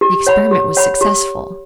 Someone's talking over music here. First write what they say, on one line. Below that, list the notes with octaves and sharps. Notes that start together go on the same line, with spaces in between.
The experiment was successful.
G4
C#5 F#5 B5
G4
C#5 F#5 B5
G4